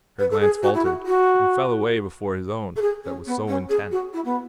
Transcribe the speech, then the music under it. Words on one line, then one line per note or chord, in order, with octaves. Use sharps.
Her glance faltered, and fell away before his own that was so intent.
B4
A4
G#4
F#4
E4
F#4
F#4
A4
G#4
C#4
B3
C#4
G#4
F#4
E4
B3